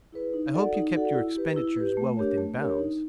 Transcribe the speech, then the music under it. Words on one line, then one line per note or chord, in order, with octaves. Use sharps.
"I hope you kept your expenditures well within bounds?"
E4 G#4 B4
D#4
F#4 A4 D5 F#5
D#4
F#4 A4 D5 F#5
E4
G4 B4
E4
G4 B4
A3
D4 G4 A#4 C#5
A3
D4 G4 A#4 C#5
D#4